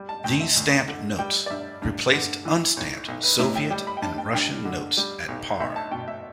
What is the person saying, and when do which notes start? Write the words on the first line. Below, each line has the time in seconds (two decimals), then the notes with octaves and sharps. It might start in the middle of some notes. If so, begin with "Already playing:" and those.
These stamped notes replaced unstamped Soviet and Russian notes at par.
Already playing: G3
0.09 A5
0.24 D2 G5
0.40 E5
0.56 D2
0.88 D3
1.19 G3 G5
1.46 D5
1.50 G2 E5
1.82 G2
2.13 D3
2.45 E3
2.77 B1
3.08 B1
3.23 B4
3.39 A2 E5
3.56 G5
3.70 G3 G5
3.87 B5
3.97 G5
4.02 G2 A5
4.18 G5
4.34 G2 G5
4.65 D3
4.97 G3
5.28 B1
5.60 B1 E5
5.76 A5
5.92 B2 G5
6.08 E5